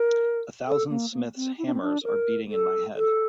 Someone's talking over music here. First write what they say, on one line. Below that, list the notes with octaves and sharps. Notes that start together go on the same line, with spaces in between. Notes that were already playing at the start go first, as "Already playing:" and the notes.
A thousand smiths’ hammers are beating in my head!
Already playing: A#4
A4
A#3
A#3
C4
E4
D4
C4
D4
A#4
A4
A4